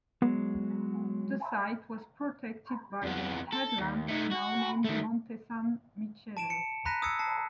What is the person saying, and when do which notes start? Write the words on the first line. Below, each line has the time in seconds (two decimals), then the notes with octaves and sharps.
The site was protected by the headland now named Monte San Michele.
0.22 F#3 G#3 B3
3.03 F2 B3
3.52 A4
3.79 D#2
4.09 A3 D#4
4.31 F#4
4.84 D#3 A3
6.37 A5 D7 E7
6.50 C#7
6.85 A#5 B5 F#6 A#6 B6 D#7
7.02 D#6 E6 G#6 C#7
7.19 A5 C7